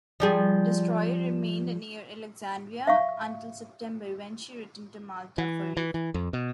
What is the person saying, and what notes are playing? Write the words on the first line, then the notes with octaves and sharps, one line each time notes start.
The destroyer remained near Alexandria until September, when she returned to Malta for refit.
F3 G3 G#4
E5 F5 C#6
E3
E3
E3
F2
B2